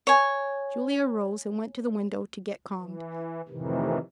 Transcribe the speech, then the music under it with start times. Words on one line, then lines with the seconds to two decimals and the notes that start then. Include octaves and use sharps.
Julia arose and went to the window to get calmed.
0.07 C#5 G#5
2.80 E3
3.49 F2 A2 C3 D#3 E3